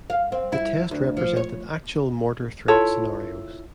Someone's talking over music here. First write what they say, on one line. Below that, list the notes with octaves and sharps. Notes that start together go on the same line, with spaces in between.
The test represented actual mortar threat scenarios.
F5
C4
E4
D2
F3
C#5
E4 F4 A4 C#5